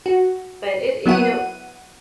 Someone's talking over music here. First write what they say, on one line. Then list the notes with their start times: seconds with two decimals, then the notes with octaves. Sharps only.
but it and, you know
0.06 F#4
1.06 F#3 B3 E4 F#5 D#7